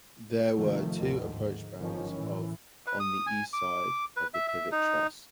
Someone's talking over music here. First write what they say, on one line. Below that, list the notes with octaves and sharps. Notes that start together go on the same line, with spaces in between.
There were two approach spans of on the east side of the pivot truss.
C3 D#3 F3 A3
D#2 A2 D3 D#3 F3
G#2
G1 D#3 F3 C#4
A2 E3
B4
D#6
G#5
D6
B4
E5
E5
D#4